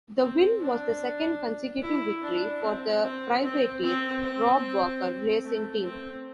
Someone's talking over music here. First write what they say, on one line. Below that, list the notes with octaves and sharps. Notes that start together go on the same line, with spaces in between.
The win was the second consecutive victory for the privateer Rob Walker Racing Team.
C4
D4
E4
D4
C4
C4
C4
C4
C4
A3
C4